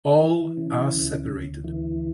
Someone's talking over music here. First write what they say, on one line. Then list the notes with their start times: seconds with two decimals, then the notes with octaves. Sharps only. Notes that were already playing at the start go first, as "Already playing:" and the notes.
All are separated.
0.21 E3
0.57 C#3
0.94 D2
1.29 D2
1.64 E3